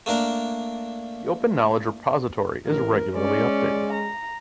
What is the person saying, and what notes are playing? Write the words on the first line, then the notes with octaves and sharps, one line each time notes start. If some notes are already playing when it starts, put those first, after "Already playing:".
The Open Knowledge Repository is regularly updated.
A3 A#3 D4 A#4
A1 A#4
G#3 C#4 D5
A#5